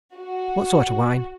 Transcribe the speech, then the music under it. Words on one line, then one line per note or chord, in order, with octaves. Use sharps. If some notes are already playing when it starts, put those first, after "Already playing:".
"What sort of wine?"
F#4